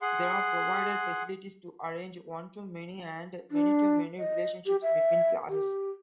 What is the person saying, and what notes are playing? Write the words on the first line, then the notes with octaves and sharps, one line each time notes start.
There are provided facilities to arrange one-to-many and many-to-many relationships between classes.
G#4 F#5 C6
D4
D#5
G4
E5
G4